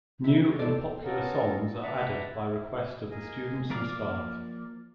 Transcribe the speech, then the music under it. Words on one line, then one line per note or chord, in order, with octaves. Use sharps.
New and popular songs are added by request of the students and staff.
E4 G4
D3
C4 A4 D5
B3 C#4 F4 F#4 A4 A#4
B4 D5 E5 F#5 A5 A#5
E4
A#3 G#4 D#5
F3 A#3 A#4 D5 F5